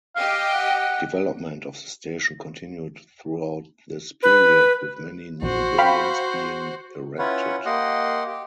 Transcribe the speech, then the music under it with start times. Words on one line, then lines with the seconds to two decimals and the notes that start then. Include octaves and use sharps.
Development of the station continued throughout this period, with many new buildings being erected.
0.16 G4 D#5 F5 G5
0.53 F#5
4.23 B4
5.42 A#1 F#4 C5
5.78 F5 G5 B5
7.19 C#4 E4 F4 B4 C#5 F#5
7.66 A#3 G4 D#5 F#5 C6
8.26 G4